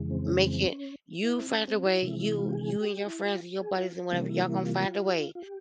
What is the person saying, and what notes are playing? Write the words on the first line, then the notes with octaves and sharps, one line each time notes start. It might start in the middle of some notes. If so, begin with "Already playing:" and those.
make it you find a way. You you and your friends and your buddies and whatever, y'all gonna find a way
Already playing: F2 C#3 E3 G#3
C4
C#4
C4
C#4
E4
C4
C#4
C4
E4
C3 E3 G#3 E4
E4
F4
G4
G#4
G4
E4
F4
G#4
F4
C3 E3 G3 A#3 C#4
E4
E4
F4
G4
F4
F4
G4